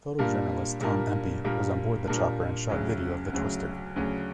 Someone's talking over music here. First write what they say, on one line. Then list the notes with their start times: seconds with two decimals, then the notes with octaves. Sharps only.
Photojournalist Tom Empey was on board the chopper and shot video of the twister.
0.19 A#2 G3 A#3 D4 A#4
0.81 A#2 G3 A#3 D4 A#4
1.45 A#2 G3 A#3 D4 A#4
2.07 A#2 G3 A#3 D4 A#4
2.70 D2 C#3 F#3 C#4
3.33 D2 C#3 F#3 C#4
3.96 D2 C#3 F#3 C#4